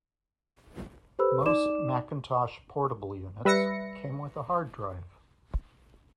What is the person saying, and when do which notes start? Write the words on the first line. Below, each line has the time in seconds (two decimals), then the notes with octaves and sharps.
Most Macintosh Portable units came with a hard drive.
1.19 G4 A4 B4 C5 B5 E6
1.46 D#4 D5 D6 E7
3.45 G3 B4 E5 A#6 C#7